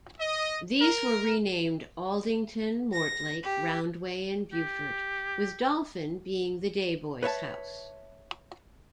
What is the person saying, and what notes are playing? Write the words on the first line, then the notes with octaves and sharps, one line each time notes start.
These were renamed Aldington, Mortlake, Roundway and Beaufort, with Dolphin being the day-boys house.
D#5
A#4
A#6
G4
G4
B4 C#5 E5 A5